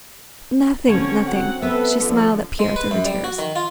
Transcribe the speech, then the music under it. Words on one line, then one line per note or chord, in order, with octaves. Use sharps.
"Nothing, nothing." She smiled at Pierre through her tears.
D3 C4 C#4 C#5
F#3 F#5
B3 A4 B4 E5
D3 F3
G#3
B4
F#2
G3
F#4
D#3
F4